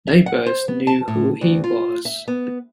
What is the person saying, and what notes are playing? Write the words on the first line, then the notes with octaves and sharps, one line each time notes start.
Neighbors knew who he was.
E5
F#5
C5
B3
A5
A2
D2
F4
E5
B3